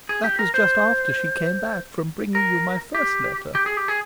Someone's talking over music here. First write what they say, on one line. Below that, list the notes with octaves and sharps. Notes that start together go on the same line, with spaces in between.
That was just after she came back from bringing you my first letter.
G#4
G4
A#4
C5
A#4
G4
G4
G#4
G4
G#4